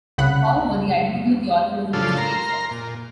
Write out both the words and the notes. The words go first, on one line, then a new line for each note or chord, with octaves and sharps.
However, the identity of the author was a mystery itself.
C2 C#3 F#5 B5 F#6
A2 C#3 F3 D4 F4 A4
A#4 A#5 C6
A#2